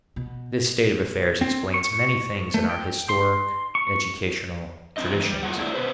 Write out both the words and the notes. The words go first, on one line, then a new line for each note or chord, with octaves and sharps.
This state of affairs explains many things in our historic educational traditions.
B2
C4
C#6
A3
G5
C6
C#6
F2 C4 D4 D#5
G#2 E3 G3
G3
F#2 F4 G#4 F#5
A3 D4 E4 G#4 D5 E5
B2 F#3 B4 C5